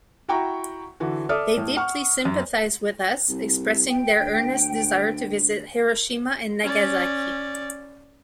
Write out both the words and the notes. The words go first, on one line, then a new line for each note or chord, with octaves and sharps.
They deeply sympathized with us, expressing their earnest desire to visit Hiroshima and Nagasaki.
E4 F#4 F#5 G5 A#5 C#6
D3 E3 F#4
A4 D5 E5 D6 D#6 F6
A2
F#5 C#6 F6
F#2
C2
G5
D2
C#4 D5